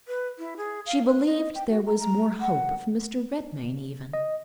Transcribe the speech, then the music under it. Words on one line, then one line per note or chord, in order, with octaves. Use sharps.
She believed there was more hope of Mr. Redmain even.
B4
E4
G#4
F5
B4
D#5
G5
F#4
A#5
A#5
F#5
D#5